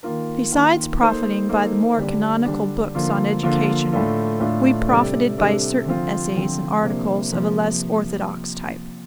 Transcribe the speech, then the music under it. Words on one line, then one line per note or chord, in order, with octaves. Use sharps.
Besides profiting by the more canonical books on education, we profited by certain essays and articles of a less orthodox type.
D#3 A#3 F4 A#4
D#3 A#3 F4 A#4
A#3 D#4 A4 C5
A#3 D#4 A4 C5
D3 G3 D4
D3 G3 D4
D3 F3 A#3 F4
D3 F3 A#3 F4
A2 A3 D4 F4 A4
A2 A3 D4 F4 A4
C3 G3 D4 A4 D5
C3 G3 D4 A4 D5
D3 F3 C4 F4
D3 F3 C4 F4
C3 F3 A#3 D4
C3 F3 A#3